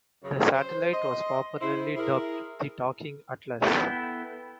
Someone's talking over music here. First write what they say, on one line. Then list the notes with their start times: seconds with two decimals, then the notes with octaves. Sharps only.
The satellite was popularly dubbed "The Talking Atlas".
0.23 F#2 C#3
0.53 C5
0.92 D#5 C6
1.61 E4 C5
1.96 E4 G#4 A#4
3.67 B3 E4 A4 G5